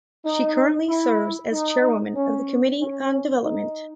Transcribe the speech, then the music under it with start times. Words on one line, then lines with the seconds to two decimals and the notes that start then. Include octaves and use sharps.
She currently serves as chairwoman of the Committee on Development.
0.24 D#4
0.88 E4
1.51 D#4
2.15 C#4
2.79 C#4
3.42 D#4